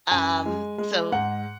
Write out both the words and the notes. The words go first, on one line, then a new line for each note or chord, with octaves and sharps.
um, so
F#2 G#5
G#3
G#3
G#2 F#5